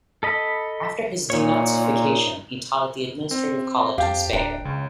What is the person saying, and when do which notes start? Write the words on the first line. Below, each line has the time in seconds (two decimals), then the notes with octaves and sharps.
After his 'denazification' he taught at the administrative college in Speyer.
0.23 A4 D#5 B5
1.30 A#2 D#4 C#5
3.31 C4
3.98 F2 G4 F5 G5 A5
4.33 D1 D4 G5 A#5
4.65 C#2 C#3